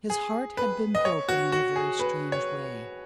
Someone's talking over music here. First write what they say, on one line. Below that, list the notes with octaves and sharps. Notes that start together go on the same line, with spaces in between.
His heart had been broken in a very strange way.
G#4
B4
D#5
C#5
F#4
F#4
G#4
B4
C#5